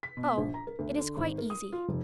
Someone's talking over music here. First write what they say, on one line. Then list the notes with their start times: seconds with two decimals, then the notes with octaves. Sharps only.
'Oh, it is quite easy.
0.03 B6
0.17 B2
0.38 A#1
0.54 A#5
0.67 A#4
0.79 D2
0.98 D3
1.17 G#1
1.38 A#4
1.50 D#6
1.73 F4
1.89 F1